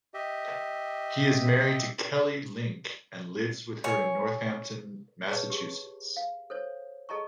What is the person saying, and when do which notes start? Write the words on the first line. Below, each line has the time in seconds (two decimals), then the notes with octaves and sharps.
He is married to Kelly Link and lives with her in Northampton, Massachusetts.
0.14 G4 D#5 E5
3.84 C#5 G#5
5.28 G#4 B4 C#5 A5
5.50 G4 G#4
6.17 F5
6.50 A4 C5 C#5
7.09 G#4 A4 D#5 A5 A#5 C#6